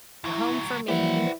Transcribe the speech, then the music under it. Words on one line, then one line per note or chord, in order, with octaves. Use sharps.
the home for me
D2 F#3 E4
E3 F3 G3 A#3 E4 G4 F#5